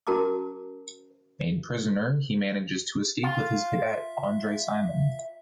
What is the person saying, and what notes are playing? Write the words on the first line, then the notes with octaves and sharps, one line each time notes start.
Made prisoner, he manages to escape with his cadet, André Simon.
C#4 F#4 A#4 A5 A#5 D6
F4 F5
E5